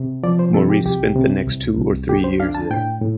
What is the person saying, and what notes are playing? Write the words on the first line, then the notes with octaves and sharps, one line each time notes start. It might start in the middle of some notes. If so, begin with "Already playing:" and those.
Maurice spent the next two or three years there.
Already playing: C3
F3 D5
C5
C3 A4
G4
C2 G4
C3
C2
C2
D3 G4
C5
D4 F5
A5
A2 G5
A2